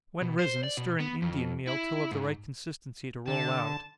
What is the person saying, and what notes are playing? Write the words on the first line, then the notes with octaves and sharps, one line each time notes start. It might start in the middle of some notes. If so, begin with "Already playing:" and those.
When risen, stir in Indian meal till of the right consistency to roll out.
B2
C5
D5
B2
B3
F2
E4
G#2
D3 A5